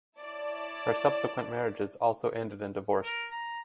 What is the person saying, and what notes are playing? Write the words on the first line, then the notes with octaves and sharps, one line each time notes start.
Her subsequent marriages also ended in divorce.
E4 C#5 D5 A5
A#4
A#5